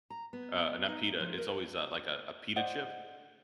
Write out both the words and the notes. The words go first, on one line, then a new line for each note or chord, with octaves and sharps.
uh, not pita, it's always, uh, like, a, a, pita chip,
A#5
B3
D#4
F3
A#4
C5 D5 D#5 F#5